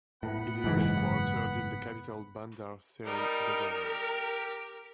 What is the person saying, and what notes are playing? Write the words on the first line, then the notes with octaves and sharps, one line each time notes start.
It is headquartered in the capital Bandar Seri Begawan.
A2 B3 F#5 B5
F#1 G#2 E3
G3 D#4 A#4
G4